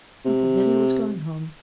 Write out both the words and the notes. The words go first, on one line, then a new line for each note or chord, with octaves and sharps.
Uncle Billy was going home.
C3